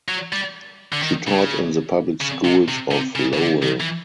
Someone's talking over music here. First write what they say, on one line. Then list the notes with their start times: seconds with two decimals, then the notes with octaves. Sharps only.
She taught in the public schools of Lowell.
0.09 F#3
0.33 G3
0.93 D3
1.03 D#3
1.27 C#3
2.21 C#3
2.45 C3
2.68 C3
2.91 C3
3.16 C#3
3.33 C#3
3.39 D3
3.63 D#3
3.80 E3